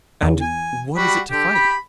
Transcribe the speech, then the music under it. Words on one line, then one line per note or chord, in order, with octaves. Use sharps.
'And what is it to fight?'
E2
G#5
G3 F#4 B5
D3 G4
B5